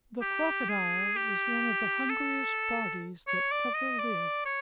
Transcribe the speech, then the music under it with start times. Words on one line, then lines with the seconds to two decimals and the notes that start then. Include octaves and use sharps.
The Crocodile is one of the hungriest bodies that ever lived.
0.21 G4
0.69 G#4
1.16 G4
2.09 A4
3.27 C#5
3.51 D5
3.74 D#5
3.99 D5
4.45 C#5